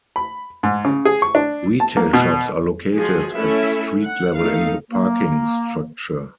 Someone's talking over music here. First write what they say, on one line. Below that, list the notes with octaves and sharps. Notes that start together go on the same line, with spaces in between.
Retail shops are located at street level in the parking structure.
B5
G#2
C#3
G#4
C#6
D4
A5
A#3
B2
F3 G#3 F#4 G#4
A3 C#4 E4 A4 E5
F#5
A3 D#4 A4 F5
A#3